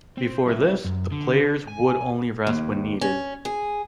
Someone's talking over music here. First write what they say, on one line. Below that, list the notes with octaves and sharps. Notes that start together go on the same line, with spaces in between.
Before this, the players would only rest when needed.
C4
B1 E4
F#2
D3
G#5
D#2
C#4
G#4